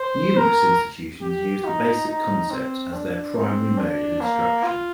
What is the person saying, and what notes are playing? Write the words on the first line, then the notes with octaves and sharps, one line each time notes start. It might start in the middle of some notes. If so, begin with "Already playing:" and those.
Numerous institutions use the basic concept as their primary mode of instruction.
Already playing: C5
A#4
G4
D#4
D#4
C4
D4
C4
D4
A#3
F4